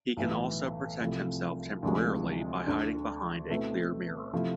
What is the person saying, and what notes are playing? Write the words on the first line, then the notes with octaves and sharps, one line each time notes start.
He can also protect himself temporarily by hiding behind a clear mirror.
B1 A2 E3
C2 C3 F3 A3 E4
D2 C3 F3 G#3
D2 D3 A3
B2 A3 C4 E4 B4
C3 F3 A3 E4